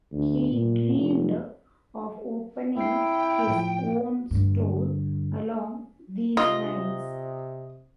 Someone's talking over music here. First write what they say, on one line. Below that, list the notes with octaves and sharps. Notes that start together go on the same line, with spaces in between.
He dreamed of opening his own store along these lines.
D2
A#2
F1
C4 E4 G5 C7
A2 F3
G2 D3
C3 F4 D#5